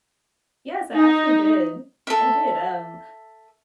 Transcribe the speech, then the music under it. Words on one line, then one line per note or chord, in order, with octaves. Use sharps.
Yes, I actually did. I did, um,
D#4
A4 E5